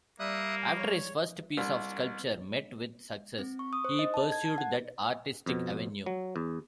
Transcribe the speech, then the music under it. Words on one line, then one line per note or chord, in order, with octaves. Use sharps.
After his first piece of sculpture met with success, he pursued that artistic avenue.
G3 A#3 E5 D#6 F#6
C#5
C2
C4
C#6
D#6
C5
D#5
A5
G#6
A5
F#5
F2 B2
F#3
E2